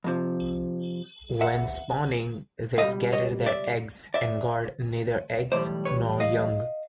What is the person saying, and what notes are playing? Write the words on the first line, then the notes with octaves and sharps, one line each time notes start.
When spawning, they scatter their eggs and guard neither eggs nor young.
F2 C3 F3
E5 F#5
C#2 B2 G3 D#5 F5
C#5 D#5
D5 E5
D5 E5
B1 A2 E3 G3 C5 D5
B4 C#5
D#5 F5